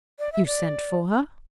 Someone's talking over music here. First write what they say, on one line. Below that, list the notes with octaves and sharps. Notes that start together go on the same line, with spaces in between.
"You sent for her?"
D5
E5
D5